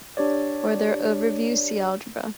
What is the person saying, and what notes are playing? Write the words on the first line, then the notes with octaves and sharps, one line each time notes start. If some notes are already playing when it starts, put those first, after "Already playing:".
For their overview, see Algebra.
D4 G4 C#5 D5